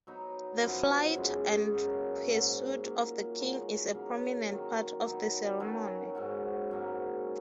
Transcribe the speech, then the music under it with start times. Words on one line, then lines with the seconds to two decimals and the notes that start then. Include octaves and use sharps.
The flight and pursuit of the king is a prominent part of the ceremony.
0.07 F#3 B3 D#4
0.62 F#2 F3 B3
1.17 F#2 C#3 G#3
1.72 B2 F#3 A#3 C#4
2.28 G#2 F#3 C#4 G#4
2.83 A#2 F#3 A#3
3.39 B2 G#3 D#4 F#4
3.94 C#3 F#3 A#3
4.49 D#3 F#3 A#3
5.04 F#3 B3 D#4
5.60 D#3 F#3 C#4
6.15 G#2 F#3 C#4 F#4
6.71 G#2 F#3 A#3 C#4